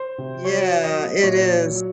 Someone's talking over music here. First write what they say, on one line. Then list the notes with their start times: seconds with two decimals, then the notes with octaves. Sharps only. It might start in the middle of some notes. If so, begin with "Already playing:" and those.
Yeah, it is.
Already playing: C5
0.18 C3
0.45 F#3 C#5
0.70 F#3
0.84 D#5
0.97 F#3
1.23 A#2 C#5
1.49 F#3
1.76 F#3